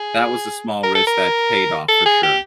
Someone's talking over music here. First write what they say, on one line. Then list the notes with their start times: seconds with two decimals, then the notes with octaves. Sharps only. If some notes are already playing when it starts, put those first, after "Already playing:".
that was a small risk that paid off for sure.
Already playing: G#4
0.83 A#4
0.95 A4
1.07 A#4
1.88 A4
2.06 G#4
2.23 G4